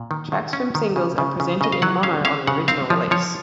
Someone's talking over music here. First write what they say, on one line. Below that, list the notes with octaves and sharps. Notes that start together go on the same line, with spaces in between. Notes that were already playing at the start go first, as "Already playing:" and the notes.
Tracks from singles are presented in mono on the original release.
Already playing: A#2
D#3
D#3
C#4
D#3
C#3
C#3
C#3
C#3 D#5
F5
F#3 F#5
C#4 F5
C#4 F5
C#3 F#5
C4 F5
F3
F3 C#5